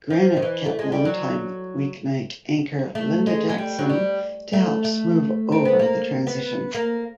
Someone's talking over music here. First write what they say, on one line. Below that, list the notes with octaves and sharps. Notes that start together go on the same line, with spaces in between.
Granite kept longtime weeknight anchor Linda Jackson to help smooth over the transition.
F3
D#3
E3
A3
G#3
G3
F#3
A3
G#3
G#3
G3
F#3
G3
A3
A3
C4
B3
A#3
B3
A#3